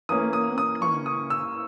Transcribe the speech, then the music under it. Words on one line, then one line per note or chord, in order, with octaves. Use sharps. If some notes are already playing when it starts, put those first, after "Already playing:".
You're welcome.
E3 A#3 C#4 D#6
D#6
D#6
C#6
D#6
E6